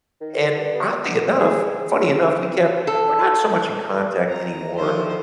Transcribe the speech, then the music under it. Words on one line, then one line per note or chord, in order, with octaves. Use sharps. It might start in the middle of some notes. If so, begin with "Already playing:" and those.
and oddly enough, funny enough, we kept we're not so much in contact anymore.
D#3
G2
B3
G#4
A4
A#5
D3 D#3 F3 E4 F4 C5